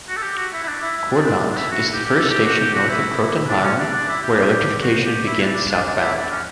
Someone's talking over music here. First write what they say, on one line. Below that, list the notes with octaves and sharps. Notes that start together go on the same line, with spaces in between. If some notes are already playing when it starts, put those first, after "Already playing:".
Cortlandt is the first station north of Croton-Harmon, where electrification begins southbound.
F#4
A4
G4
F#4
E4
E4
D4
E4
E4
D4
D4
D4
E4
F#4
G4
G4
A4
G4
F#4
G4
F#4
E4
D4
C#4
D4
D4
E4
G4
G4
F#4
G4
E4
D4
D4
D4
D4
E4
D4
C#4